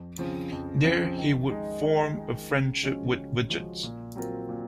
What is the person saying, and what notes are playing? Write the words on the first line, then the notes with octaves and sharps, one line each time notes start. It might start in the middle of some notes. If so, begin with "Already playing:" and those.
There he would form a friendship with Widget.
Already playing: F2
C#3 F3 C4
F2
C#3 F3 C4
D#3
G#3 D#4
D#3
G#3 D#4
C#3
F3 G#3 C#4 F#4
C#3
F3 G#3 C#4 F#4
A#2
F#3 C4 F4 A#4
A#2